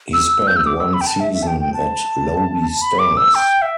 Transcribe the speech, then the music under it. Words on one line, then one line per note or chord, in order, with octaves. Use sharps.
He spent one season at Lobi Stars.
E6
G6
E6
D6
E6
B5
G5
A5
E5
E5
A5
G5
G5
A5
B5
D6
E6
G5
E5